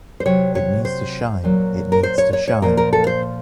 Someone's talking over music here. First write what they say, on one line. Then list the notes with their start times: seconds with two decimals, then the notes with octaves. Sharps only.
It needs to shine! It needs to shine!
0.20 C5
0.25 C3 F#3 C#5
0.55 C#5
0.85 C5
1.44 A#2 F#3
1.92 A#4
2.03 C5
2.18 C#5
2.33 C#5
2.48 C#5
2.62 A#2 F3 A#4
2.77 A#4
2.93 A4
3.07 C5